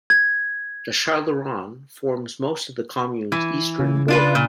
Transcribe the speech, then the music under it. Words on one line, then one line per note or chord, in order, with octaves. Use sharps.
The Chalaronne forms most of the commune's eastern border.
G#6
E3
C#3
D4 F4 B4
A#2